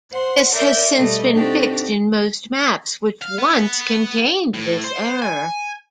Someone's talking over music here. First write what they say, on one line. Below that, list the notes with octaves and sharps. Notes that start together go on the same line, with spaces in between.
This has since been fixed in most maps which once contained this error.
C5 F#5 C6
A#4 D5 E5 G6
B2 G3 A3 D#5
C4 D4 D#4 F#4 G4 A4
F5
B3
A2
C5
G#5